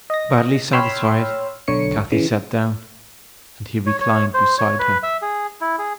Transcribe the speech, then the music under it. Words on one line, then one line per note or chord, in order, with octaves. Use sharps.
Badly satisfied, Cathy sat down, and he reclined beside her.
D#5 A#6
C#5 G5 B5 C6 E6 F6
B1 D3 C#5 C#7
C#3 E3
C#5
C#5
C5
C#5
B4
E5
G#4
E4
G#4